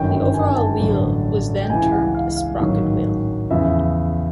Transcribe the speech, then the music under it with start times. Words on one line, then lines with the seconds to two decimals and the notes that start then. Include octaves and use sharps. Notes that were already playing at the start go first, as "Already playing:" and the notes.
The overall wheel was then termed a 'sprocket wheel'.
Already playing: G1 F#2 D#3 F#3 G5
0.11 G5
0.34 G#5
0.56 A5
0.79 A1 G2 D3 F#3
1.61 G5
1.69 C#2 C#3 E3 G#5
1.92 F#5
2.15 F5
2.37 F5
2.60 A1 G#2 D#3 F#3
3.50 E2 C#3 F3 E5